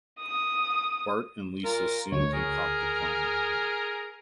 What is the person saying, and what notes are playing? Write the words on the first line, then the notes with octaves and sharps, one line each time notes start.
Bart and Lisa soon concoct a plan.
D#6
F4 A#4
D2 C#5
G#4 A#4